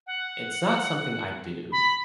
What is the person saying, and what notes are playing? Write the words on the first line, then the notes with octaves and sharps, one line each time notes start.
it's not something I do
F#5
B5